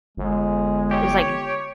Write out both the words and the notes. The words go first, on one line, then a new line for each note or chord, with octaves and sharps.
it's like
G1 G#3
G4 C#5